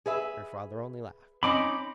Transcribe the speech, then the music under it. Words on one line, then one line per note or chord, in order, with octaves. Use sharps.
Her father only laughed.
G#4 B4 E5
C4 C#4 D#4 B5 D6